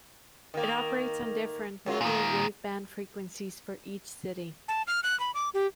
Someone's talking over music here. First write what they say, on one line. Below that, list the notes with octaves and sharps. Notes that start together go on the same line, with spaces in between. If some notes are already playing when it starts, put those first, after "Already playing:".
It operates on different medium wave-band frequencies for each city.
D#3 A#3
F#2 F#3 F4
A#2 D#3 F4
A5
F6
F#6
B5
D6
G4